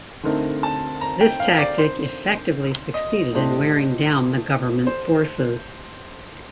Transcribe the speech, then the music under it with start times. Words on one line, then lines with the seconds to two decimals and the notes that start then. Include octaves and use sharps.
This tactic effectively succeeded in wearing down the government forces.
0.23 D3 A3 C4 D#4 A#4
0.63 A5
1.01 A#5
1.21 G5
1.40 F5
1.59 D5
1.78 C5
2.94 D#5
3.33 A2 A3 D4 G4 C5
4.87 C5